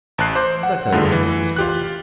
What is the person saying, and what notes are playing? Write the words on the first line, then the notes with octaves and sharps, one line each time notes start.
Didn't I tell you her name was Helen?
A1 A5 F#6 C7
C5 C6 D6 G6
F#5
G2 D3 A3 F4 G#4
E3
F4 G4 F#6